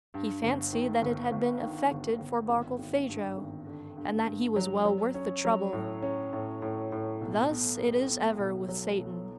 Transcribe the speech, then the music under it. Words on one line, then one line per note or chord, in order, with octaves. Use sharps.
He fancied that it had been effected for Barkilphedro, and that he was well worth the trouble. Thus it is ever with Satan.
G2
G1
D#3
G1
G1
D#3
G1
G1
G#1
G#1
G2
G#1
D3
G2
G2
F#3
F#3
C#4
F#3
A2
C#4
A2
A2
A2
B1
B2
B1
B2
B1
F#3
B2